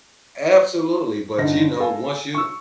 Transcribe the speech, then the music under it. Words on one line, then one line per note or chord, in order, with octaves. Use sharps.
Absolutely, but, you know, once you
G1 D3 D4 D#4 A#6
A4 F5 G#5
C#6 E6